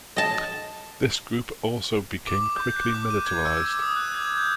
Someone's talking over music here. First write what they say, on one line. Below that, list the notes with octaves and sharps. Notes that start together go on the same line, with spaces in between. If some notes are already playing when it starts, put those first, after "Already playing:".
This group also became quickly militarized.
D#5 A5
D6
G6
F#6
D6
D#7
G#6
E6
D6
D#6
F#6
G#6
G6